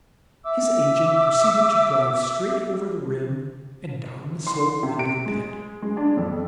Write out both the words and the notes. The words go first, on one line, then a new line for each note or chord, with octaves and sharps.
His agent proceeded to drive straight over the rim and down the slope into the pit.
E5 D6 E6
C6
C3
D7
G#3
G#3
D4
F2